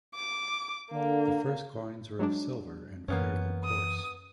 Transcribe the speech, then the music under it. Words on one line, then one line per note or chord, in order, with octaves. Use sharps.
The first coins were of silver and fairly coarse.
D6
D3 A#3
F#3 G#3 D4
F#2 E3 A#3 B3 C#4
D#6